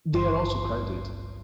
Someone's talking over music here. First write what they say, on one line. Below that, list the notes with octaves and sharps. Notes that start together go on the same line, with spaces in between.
They are also crowded.
G#1 C#2 G2 C6